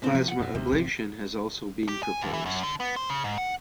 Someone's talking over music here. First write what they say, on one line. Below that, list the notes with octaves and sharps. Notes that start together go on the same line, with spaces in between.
Plasma ablation has also been proposed.
A2 C4
C3 F3
F#5
F#2 B2
D2 C3
G#1 F3 C4
G4
G#5
D#2
E3
F#2
D3
B3
C5
C#3
G#2
F#5